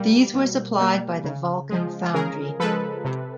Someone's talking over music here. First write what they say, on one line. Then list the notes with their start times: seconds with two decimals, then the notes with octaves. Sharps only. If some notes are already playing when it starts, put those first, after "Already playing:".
These were supplied by the Vulcan Foundry.
Already playing: B2 G3 A#3
0.34 B2
0.79 G3 A#3
1.24 C#3
1.69 F3 G#3
2.14 C#3 G#4 A#4
2.60 F3 G#3 A4 B4
3.05 C3